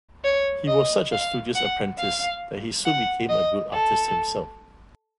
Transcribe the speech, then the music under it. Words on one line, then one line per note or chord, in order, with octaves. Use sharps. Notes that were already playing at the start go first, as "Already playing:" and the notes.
He was such a studious apprentice that he soon became a good artist himself.
C#5
D#5
F5
F#5
F5
F#5
D#5
A4